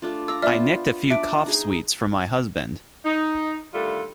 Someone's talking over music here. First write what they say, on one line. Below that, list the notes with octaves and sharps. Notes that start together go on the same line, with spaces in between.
I nicked a few cough sweets from my husband.
A3 D4 F4
D5 F5 A#5 E6
B3 F4 C5 D5 E5 F6
D4 E5 D7
D#4 G#4 G#5
D#4
D3 D#3 G3 A3 F4 A4